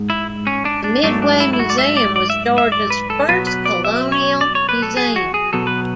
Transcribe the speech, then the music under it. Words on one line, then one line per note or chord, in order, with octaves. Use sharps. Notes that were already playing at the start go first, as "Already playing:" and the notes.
The Midway Museum was Georgia's first colonial museum.
Already playing: G#2 G#3
E4
C#4
D4
D4
G#2 F#3 A3 D4
D4
E4
E4
F#4
D5
E5
D5
D5
E5
E5
D5
B4
A4
B2 F#3 B3 B4
B4
D5
E5
C#5
D5
C#5
B4
A4
G#4
F#4
G#4
B2 F#3 B3 A4
B4